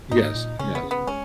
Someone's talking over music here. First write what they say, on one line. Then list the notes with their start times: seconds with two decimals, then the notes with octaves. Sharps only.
yes, yes,
0.11 G#2 D#4
0.35 A#2
0.59 C#3 C#4
0.75 B3
0.83 C#3
0.91 B3
1.07 G#3 C#4